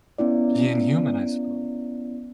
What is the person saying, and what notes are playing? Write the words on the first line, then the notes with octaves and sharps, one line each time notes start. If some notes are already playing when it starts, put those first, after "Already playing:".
being human, I suppose.
B3 C#4 E4 D5